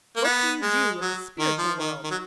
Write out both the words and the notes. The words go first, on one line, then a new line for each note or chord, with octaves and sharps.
"What do you do in the spiritual world?"
A#3
B3
G#3
F#3
D#3
F3
D#3
D#3
F#3